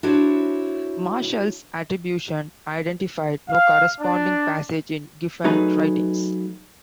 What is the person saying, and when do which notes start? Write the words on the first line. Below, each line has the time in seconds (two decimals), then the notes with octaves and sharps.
Marshall's attribution identified no corresponding passage in Giffen's writings.
0.03 D4 E4 F#4 C5 C#5
3.49 F5
4.00 D4
5.44 F#3 A3 D#4 G#4 B4